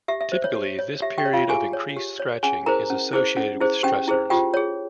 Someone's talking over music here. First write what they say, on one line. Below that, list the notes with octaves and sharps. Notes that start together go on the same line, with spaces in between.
Typically this period of increased scratching is associated with stressors.
G4 E5
E5
C5
C#5
G4
C#5
G4 E5
G4 G5
C#5
F4 F5
G4 G#4 G#5
C#5
G4
C#5
C#4 G#4 G#5
E4 G#4 A#4 C5 A#5
C#4
E4 G#4 C5
C#4
E4 G#4 C5
C#4 G4 G5
E4 G#4 C5
F4 G4 G5
G#4 C#5